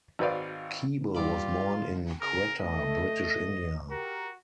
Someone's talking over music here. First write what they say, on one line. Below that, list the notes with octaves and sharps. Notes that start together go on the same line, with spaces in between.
Keeble was born in Quetta, British India.
G#1 F#4 B4 C5 D5 F5
G2 F4 G4 D5 B5
C#3 G#4 A#4
A3 D#5
F#4 G4 A#4